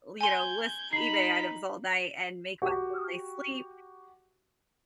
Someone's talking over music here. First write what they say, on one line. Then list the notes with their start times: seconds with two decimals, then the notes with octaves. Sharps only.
li know, list eBay items all night and make money while I sleep,
0.21 G#5 C6 G6 G#6
0.93 D#4 A#5 B5 C7
2.62 F#4 G4